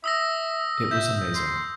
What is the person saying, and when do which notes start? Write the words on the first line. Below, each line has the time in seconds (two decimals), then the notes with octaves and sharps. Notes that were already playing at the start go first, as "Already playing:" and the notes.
It was amazing.
0.04 E5 D#6 E6 A#6
0.91 E5 G6
1.35 C6